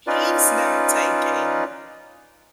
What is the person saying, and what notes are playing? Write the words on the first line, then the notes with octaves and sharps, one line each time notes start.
He's now taking
C#4 D#4 F4 B4 D5